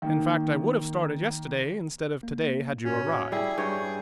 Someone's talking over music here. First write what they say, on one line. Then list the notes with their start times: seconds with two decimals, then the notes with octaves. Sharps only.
In fact, I would have started yesterday instead of to-day, had you arrived.
0.02 D#3 A#3
2.23 A#3
2.85 A2 C#4 F#4
3.32 G3 E4 G#4
3.58 G2 C#5 G5 G6